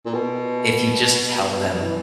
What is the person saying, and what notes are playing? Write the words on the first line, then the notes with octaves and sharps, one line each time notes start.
if you just tell them,
A#2
B2
E3